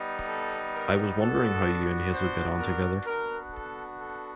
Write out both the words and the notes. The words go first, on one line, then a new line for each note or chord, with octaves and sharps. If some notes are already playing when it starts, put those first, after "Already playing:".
I was wondering how you and Hazel get on together.
Already playing: G3 B3 D#4
A4
A#4
B3 D4 F#4 A4
C5
A#4
B3 D4 F#4 A#4
A4
A4